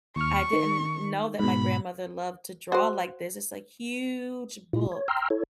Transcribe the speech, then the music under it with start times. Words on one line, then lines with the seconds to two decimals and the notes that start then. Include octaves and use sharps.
I didn't know that my grandmother loved to draw like this. It's a huge book
0.16 D#2 C#6 F6
0.53 D#3
1.40 G#2 B2 B5
2.72 F#4 C5
4.73 A#2 E4 F4
4.92 C#5
5.08 G5 A#5 C6 E6 F6
5.30 E4 A4 C#5